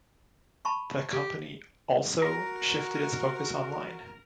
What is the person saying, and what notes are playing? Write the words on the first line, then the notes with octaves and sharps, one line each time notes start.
The company also shifted its focus online.
A5 B5 C#6
G4
F#4 A#4 A#5